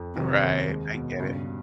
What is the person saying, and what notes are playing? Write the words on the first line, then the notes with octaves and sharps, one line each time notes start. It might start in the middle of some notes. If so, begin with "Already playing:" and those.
Right, I get it.
Already playing: F2
C3 D#3
D#2
G#3
B2
G2 C#3